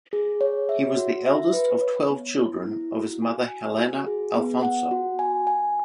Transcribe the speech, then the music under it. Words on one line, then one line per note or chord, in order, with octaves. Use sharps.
He was the eldest of twelve children of his mother Helena Alfonso.
G#4
C#5
E5
F#4
E5
B4
C#5
B3
E4
E4
F#4
G#5
G#5
F#4
G#4
B3
F#5
F#4
G#5
G#5